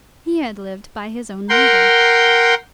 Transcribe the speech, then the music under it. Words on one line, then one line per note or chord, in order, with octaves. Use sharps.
He had lived by his own labor.
A#4 F#5 G5 C6